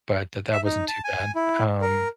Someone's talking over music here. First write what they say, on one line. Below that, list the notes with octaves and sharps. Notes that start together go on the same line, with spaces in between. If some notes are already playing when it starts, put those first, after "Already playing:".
but that that wasn't too bad, um,
E5
D#4
A5
G#5
E4
A#4